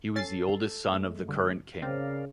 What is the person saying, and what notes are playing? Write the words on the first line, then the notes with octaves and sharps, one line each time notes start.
He was the oldest son of the current king.
C#4 A4 A6 C7
F#2 G#3 A3
G2 D3
C#3 C4 A#4 D5 F5